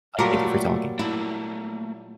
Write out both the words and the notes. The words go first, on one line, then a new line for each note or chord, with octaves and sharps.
uh, thank you for talking.
A#2 F#3 G3 A3 F4 A#4 A5
A3 A#3 E4